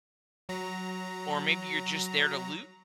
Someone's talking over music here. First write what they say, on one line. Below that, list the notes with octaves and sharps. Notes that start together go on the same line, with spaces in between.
or maybe you're just there to loot,
F#3 A#5